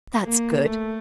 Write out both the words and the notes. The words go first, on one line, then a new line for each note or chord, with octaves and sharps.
That's good.
A#3
A3